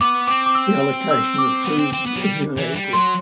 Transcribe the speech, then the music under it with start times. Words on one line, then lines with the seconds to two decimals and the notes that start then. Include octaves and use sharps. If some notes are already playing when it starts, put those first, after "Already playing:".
The allocation of food was inadequate.
0.01 B3 D6
0.27 C4 D6
0.46 D6
0.55 E6
1.11 E6
1.38 D6
1.65 B3
1.79 C4
1.93 C4
2.06 B3
2.16 F#3
2.20 G3
2.57 E3
2.75 G3
2.93 F#3 C6